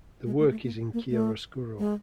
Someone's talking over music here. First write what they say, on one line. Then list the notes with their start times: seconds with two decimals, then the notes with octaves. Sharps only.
The work is in chiaroscuro.
0.26 G#3
0.39 A3
0.51 A3
0.64 A#3
0.93 A#3
1.10 A3
1.79 G#3